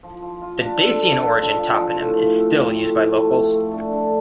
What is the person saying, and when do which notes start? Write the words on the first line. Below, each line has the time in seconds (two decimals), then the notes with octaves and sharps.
The Dacian-origin toponym is still used by locals.
0.03 F3
0.22 F3
0.42 F4
0.61 D4
0.81 A4
1.01 A4
1.19 D4
1.40 F3
1.58 F3
1.79 F3
1.98 A2
2.17 F3
2.37 C4
2.57 F3
2.75 A2
2.95 C4
3.15 A3
3.34 A3
3.54 A3
3.73 D4
3.93 D3